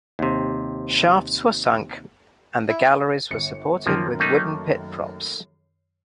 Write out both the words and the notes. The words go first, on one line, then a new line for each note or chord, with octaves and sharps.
Shafts were sunk, and the galleries were supported with wooden pit-props.
D#2 C3
E4
G1 C#7
F#2 D#3 F3 A#3
A3 A#3 D#4